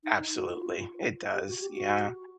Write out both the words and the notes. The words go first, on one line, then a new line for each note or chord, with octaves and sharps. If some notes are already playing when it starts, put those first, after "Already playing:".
Absolutely, it does, yeah.
D#4
F#4
F4
G4
F#4
G4
F#4